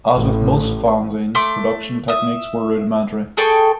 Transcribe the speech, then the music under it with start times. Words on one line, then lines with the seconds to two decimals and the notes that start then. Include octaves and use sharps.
As with most fanzines, production techniques were rudimentary.
0.16 A1
1.35 A3 C6 D6
2.08 E5 D#6
3.37 G#4 A4 G5 C#6